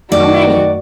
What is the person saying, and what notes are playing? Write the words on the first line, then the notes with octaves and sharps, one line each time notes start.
How many?
F#2 D#3 A3 F#4 D5